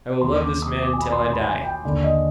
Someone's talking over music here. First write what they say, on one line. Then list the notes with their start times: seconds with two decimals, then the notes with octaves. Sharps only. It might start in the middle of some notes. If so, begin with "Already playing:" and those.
I will love this man until I die.
0.21 D#2 D#3 C6
0.42 D6
0.62 D#6
0.83 D6
0.93 G#5
1.02 B5
1.13 C6
1.33 B5
1.44 G#5
1.64 G5
1.84 D#2 D3
2.04 D#5